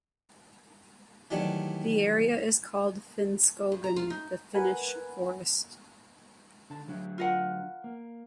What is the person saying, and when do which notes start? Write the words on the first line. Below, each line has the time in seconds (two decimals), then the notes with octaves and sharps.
The area is called Finnskogen, "The Finnish forest".
1.30 D#3 E3 F#3 G3 A3 D4
3.72 G2
3.84 A#5
3.96 F4
4.10 D#4
4.54 A#4 B4 F#5 G#5
6.70 D3 A5
6.88 D2 F#3 D4
7.18 F4 A#4 F#5
7.84 A#3